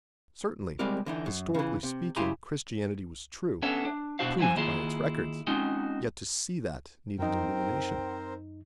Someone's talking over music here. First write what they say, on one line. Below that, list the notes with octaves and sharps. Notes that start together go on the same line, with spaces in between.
Certainly, historically speaking, Christianity was true--proved by its records--yet to see that needed illumination.
G3 G#3 C4 G4 A#4
D3 E3 D#4
F#2
C#3 E3
C3
C#3 E4 G4 G#5 A#5 C6
B3 C#4 D4 A4 C#5 E5
D4
B2 D4 E4 F#4 C5 F5
F3 F#3 E4 C5 G#5
D#3 A#3 E4 F4 G#4
G#3 C4 C#4 D#4 F4 F#4
F#2 C4 D#4 A#4 C5 G5